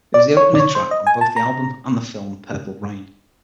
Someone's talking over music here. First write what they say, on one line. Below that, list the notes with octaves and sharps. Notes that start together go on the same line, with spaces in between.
It was the opening track on both the album and the film "Purple Rain".
D5
C#5
D5
C#5
C5
D#5
G#5
A5
A#5